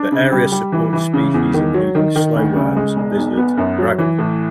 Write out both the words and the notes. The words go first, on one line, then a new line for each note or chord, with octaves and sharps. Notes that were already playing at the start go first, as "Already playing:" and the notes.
The area supports species including slowworms, lizards, and dragonflies.
Already playing: D4
C#3
G3
G3
E3
E3
C#3
E2
D#3
F#3
D#3
D#3
D2
C#3
G#3
E1
B1
B3
F#2
F#3
E3
A2